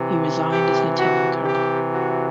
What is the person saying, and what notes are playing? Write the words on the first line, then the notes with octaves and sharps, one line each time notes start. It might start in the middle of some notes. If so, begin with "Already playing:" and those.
He resigned as Lieutenant colonel.
Already playing: C3 E3
G4
F#4
G4
F#4